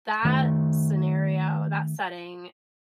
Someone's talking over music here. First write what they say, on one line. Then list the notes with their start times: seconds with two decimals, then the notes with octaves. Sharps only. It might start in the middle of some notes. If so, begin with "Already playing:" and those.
that scenario, that setting
0.25 D#3 A3